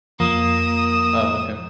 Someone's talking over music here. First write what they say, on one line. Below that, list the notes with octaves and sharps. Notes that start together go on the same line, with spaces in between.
Oh, okay.
F2 F3 A#3 D#6 E7